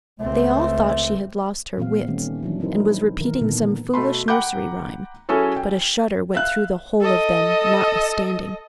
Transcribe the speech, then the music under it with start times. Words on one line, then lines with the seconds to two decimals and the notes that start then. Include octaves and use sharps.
They all thought she had lost her wits, and was repeating some foolish nursery rhyme; but a shudder went through the whole of them notwithstanding.
0.19 C#2 A3 C4
1.78 A#2 E3 B3 C4 G4 F5
2.08 D#3 G3 A3 C#4 G4
2.43 E3 F#3 D4
2.60 C4 D#4 E4 A#4 C5
3.21 D#3 E3 A#4
3.41 A#2 D3 E3 B3 D4 A4
3.94 B2 A3 B5 C6
4.28 F#5 G5 A#5 B5 D6 G6
5.29 F#3 C#4 E4 G#4 A4 C#5
5.56 G5
6.35 E5 F5 F#6
7.01 A4 D#5